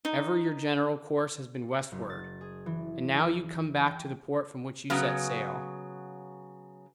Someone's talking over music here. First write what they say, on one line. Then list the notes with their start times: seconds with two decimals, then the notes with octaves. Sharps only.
Ever your general course has been westward; and now you come back to the port from which you set sail.
0.05 D#4
1.92 F#1
2.10 A6
2.41 G#4
2.66 E3
3.86 G5
4.90 C#3 F#3 B3